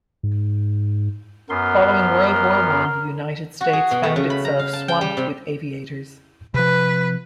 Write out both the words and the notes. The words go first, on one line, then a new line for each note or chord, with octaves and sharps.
Following World War One, the United States found itself swamped with aviators.
G#2
F#2 B3 A#4 C6
F#4
G#4
B2
A3
C#3
B5
A#5
F5
A5
G5
G3
C3
C3 F3 B4